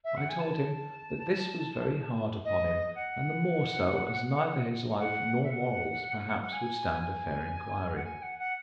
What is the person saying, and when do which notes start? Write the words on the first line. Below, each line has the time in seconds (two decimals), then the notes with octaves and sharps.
I told him, that this was very hard upon him; and the more so, as neither his life nor morals perhaps would stand a fair inquiry.
0.04 E5
0.17 F#5
0.29 G#5
0.40 A5
2.44 D#5
2.95 F#5
4.99 F#5
5.43 E5
5.51 F#5
6.42 F#5
6.53 G#5
7.02 G#5
7.96 F#5
8.04 G#5
8.22 F#5
8.39 F#5